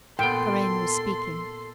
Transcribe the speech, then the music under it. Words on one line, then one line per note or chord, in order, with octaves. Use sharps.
Karain was speaking.
A#2 B3 A4 G5 C6